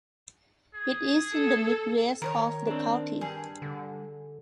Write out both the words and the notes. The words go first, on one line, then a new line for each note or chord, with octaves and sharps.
It is in the mid-west of the county.
G#4
A4
D#3 A#4 B4 C#5
C4 D4
G2 G3 G#4
D3